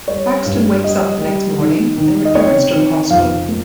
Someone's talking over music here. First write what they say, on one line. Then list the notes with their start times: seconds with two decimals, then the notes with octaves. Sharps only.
Paxton wakes up the next morning and returns to the hostel.
0.08 G3 C#5
0.46 G2
0.84 G3 D#5
1.22 G3
1.59 D#3
1.98 D#3
2.25 D#5
2.35 C4 C#5
2.73 D#3
3.10 F2 F5
3.49 A#3